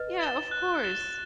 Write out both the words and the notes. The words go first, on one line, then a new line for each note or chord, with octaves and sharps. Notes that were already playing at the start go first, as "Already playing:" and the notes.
Yeah, of course,
Already playing: B4 D#5
A6 E7 G7
F#6
A6 E7 G7